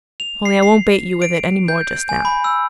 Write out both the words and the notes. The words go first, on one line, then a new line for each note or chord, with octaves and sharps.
Only I won't bait you with it any more just now.
F7
C7
C7
D7
G6
G#5
B5
E6